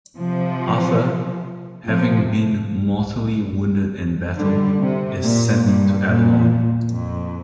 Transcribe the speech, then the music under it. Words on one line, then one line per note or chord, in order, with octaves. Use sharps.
Arthur, having been mortally wounded in battle, is sent to Avalon.
C3 F3
C3 F3
D3 G3
C3
A#2
G2
A#2
F2